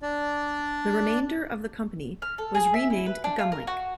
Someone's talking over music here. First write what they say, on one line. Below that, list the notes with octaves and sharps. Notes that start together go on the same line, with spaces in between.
The remainder of the company was renamed Gumlink.
D4 D5
F6
A4
G#4
E5
E4
B4
D4
F4
A#4
F#4